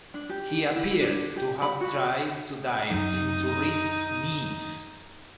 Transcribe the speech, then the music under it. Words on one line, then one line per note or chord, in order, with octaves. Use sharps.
He appeared to have tried to dive into Reed's knees.
D4
G4
E4
D4
G4
B5
F#4
F#2 F#3 D#4